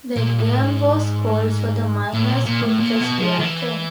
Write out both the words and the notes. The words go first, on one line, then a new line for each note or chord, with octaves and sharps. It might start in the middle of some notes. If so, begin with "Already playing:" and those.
The game was called so the Miners could catch their train.
A#2
A2
G#2
A2
A#2
A#2
A2
A#2
B2
F#3
F3
D#3
E3